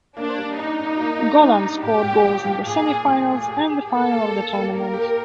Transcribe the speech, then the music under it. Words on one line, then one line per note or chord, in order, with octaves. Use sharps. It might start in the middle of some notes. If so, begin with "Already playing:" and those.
Golan scored goals in the semi-finals and the final of the tournament.
A#3 D4
G3
D4 D#4
D4
A#3
G3
D4
G3
A#2 G4
A#2
F3
F3
A#2 G#4
A#2
F3 G#4
A3
G4
G4
A#3 A4
A#3
A#3
A#3
A#3 A#4
G4